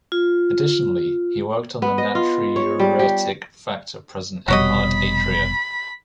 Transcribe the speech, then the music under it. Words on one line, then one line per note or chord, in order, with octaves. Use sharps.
Additionally, he worked on the natriuretic factor present in heart atria.
F4
B3
D#5
F4
C#5
G3
G4
F1 B2 G3 F#4 C#5 D#5 B5